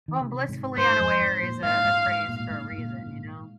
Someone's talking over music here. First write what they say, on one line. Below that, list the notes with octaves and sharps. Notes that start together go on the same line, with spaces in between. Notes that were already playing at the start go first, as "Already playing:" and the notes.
Well, blissfully unaware is a a phrase for a reason, you know?
D#3
C3
G#2
G#2 C5
F2
G#2
A#2
G#2 F5
G#2
G#2
A#2
A#2
G#2
G#2
A#2
G#2